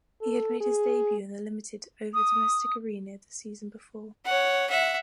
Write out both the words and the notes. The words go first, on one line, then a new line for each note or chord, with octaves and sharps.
He had made his debut in the limited over domestic arena the season before.
A4
G#4
D#6
C#5 F#5
E5 F#5